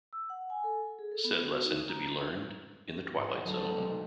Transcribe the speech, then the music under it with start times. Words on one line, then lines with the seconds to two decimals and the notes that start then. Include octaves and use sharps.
Said lesson to be learned in the Twilight Zone.
0.13 E6
0.30 F#5
0.50 G#5
0.64 A4
0.99 G#4
1.12 A4
1.24 B3
1.45 F#4
1.66 D#4
1.89 A#5
2.05 D4
3.15 G#2
3.28 C2 E3 F#5 D#6 D#7
3.44 D2 F#3 A4 C5 D5 A6
3.61 G#3 A3 C4 G4
3.77 E1 B1 C3 C5 D#6 D7
3.91 A#3